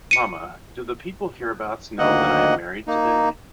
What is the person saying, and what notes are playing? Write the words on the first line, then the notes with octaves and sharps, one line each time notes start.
Mamma, do the people hereabouts know I am married to-day?
C#7 D#7
D2 D#3 A#3 D#5 F#5
A#3 D#4